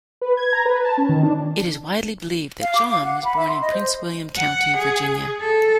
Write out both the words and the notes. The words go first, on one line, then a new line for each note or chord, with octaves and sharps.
It is widely believed that John was born in Prince William County, Virginia.
B4
G#6
A#5
B4
A5
C#4
D#3
D4
F5
D6
F5
F#5
B5
E5
C6
D#5
C5
F#5
G#4
A4